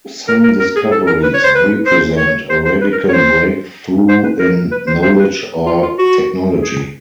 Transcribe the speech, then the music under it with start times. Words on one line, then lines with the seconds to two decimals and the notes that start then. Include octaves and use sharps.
Some discoveries represent a radical breakthrough in knowledge or technology.
0.28 A#4
0.43 A#4
0.60 A#4
0.76 G#4
0.91 A4
1.07 A#4
1.23 B4
1.34 C#5
1.44 C5
1.55 B4
1.86 C5
2.18 C#5
2.50 C5
2.65 C5
2.81 B4
2.92 A#4
3.09 C#5
3.13 C5
4.08 C5
4.24 B4
4.39 A#4
4.71 B4
4.87 C5
5.03 C5
5.19 B4
5.66 F4
5.83 F4
5.98 F#4
6.62 G#4